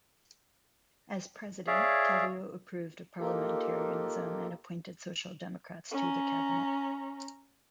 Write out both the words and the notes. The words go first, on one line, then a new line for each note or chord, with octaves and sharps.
As president, Kallio approved of parliamentarism and appointed Social Democrats to the cabinet.
G#4 C#5 D5 E5 F5
A#3 D#4 F4 G4 A4 A#4
C#4 A#5